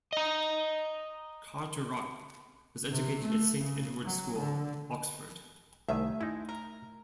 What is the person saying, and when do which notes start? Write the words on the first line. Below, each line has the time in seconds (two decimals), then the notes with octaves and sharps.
Carter-Ruck was educated at Saint Edward's School, Oxford.
0.13 D#5 A#5
2.90 C3
3.20 A3
3.58 C#3
4.04 F#3
4.36 D3
5.89 C2 D#3 A3 E5 G#5
6.21 G#3 D#4 E4
6.49 A#4